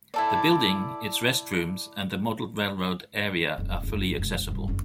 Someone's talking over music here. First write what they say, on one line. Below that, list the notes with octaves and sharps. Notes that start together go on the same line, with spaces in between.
The building, its restrooms, and the model railroad area are fully accessible.
E4 A4 D5
D#1 F2
F#1 E4
E1 E2
G2 C#3
F#1 C#4